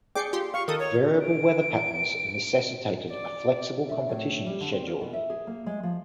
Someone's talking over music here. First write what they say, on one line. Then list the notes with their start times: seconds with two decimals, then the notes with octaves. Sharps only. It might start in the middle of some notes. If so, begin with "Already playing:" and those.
Variable weather patterns necessitated a flexible competition schedule.
0.15 G#4 D5 G5 D6 C7 C#7
0.33 F4 G4 C6
0.54 F5 C#6
0.68 D#3 A4 A#4 D#6
0.79 C#5
1.26 D7
3.12 D5
3.89 E5
4.09 A2
4.46 G3
4.61 D3
4.73 C4
4.87 A#4
5.01 B2
5.13 E5
5.30 G#4
5.47 A#3
5.66 G#3
5.83 F3